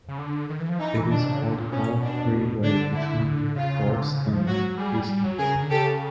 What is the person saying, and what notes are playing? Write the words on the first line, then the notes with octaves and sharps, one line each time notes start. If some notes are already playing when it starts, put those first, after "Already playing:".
It is called Gulf Freeway between Galveston and Houston.
C#3
D3
D#3
E3
F3
E3 D#4
E3
D4
B2
C3
C#3
D3
A#2
B2 C#4
D4
D3 D4
E4
C#3
D3
C#3 F4
C3
D3
C#3
F3
F#3 F#4
G3 G#4
G3
F#3
C#3 G#4 A#4
D3
C#3 G4 A4